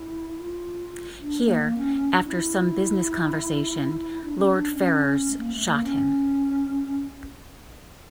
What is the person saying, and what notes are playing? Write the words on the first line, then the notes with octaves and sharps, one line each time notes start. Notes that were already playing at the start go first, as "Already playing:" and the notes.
Here, after some business conversation, Lord Ferrers shot him.
Already playing: E4
F4
D4
A#3
A#3
C#4
C#4
D4
E4
E4
D4
C#4
D4
C#4
A3
A#3
A3
A#3
C#4